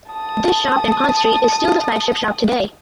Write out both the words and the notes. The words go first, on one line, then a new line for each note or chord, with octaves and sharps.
This shop in Pont Street is still the flagship shop today.
A5 D#6